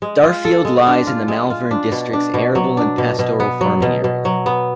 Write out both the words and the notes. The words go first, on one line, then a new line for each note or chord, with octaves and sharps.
Darfield lies in the Malvern district's arable and pastoral farming area.
G#3
F4
A4
G#3
D4
F4
G#3
F4
D4
B2
D4
B2
F#3
D4
B2
B2
B3
F#3
B2
B2
F#3
B3